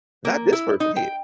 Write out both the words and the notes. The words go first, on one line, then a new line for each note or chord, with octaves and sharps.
Not this person here.
A#3
E4
D#4
G5